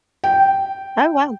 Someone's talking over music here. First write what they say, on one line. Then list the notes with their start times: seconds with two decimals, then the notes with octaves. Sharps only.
Oh, wow.
0.24 G5